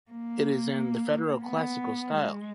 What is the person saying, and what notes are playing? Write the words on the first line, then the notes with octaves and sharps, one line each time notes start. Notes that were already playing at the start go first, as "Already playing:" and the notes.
It is in the Federal Classical style.
A#3
B3
G#3